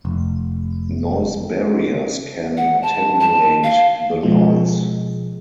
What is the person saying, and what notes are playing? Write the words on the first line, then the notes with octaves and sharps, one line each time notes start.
Noise barriers can attenuate the noise.
F1
F#5
A5
A5
F5
B2 F3 G#3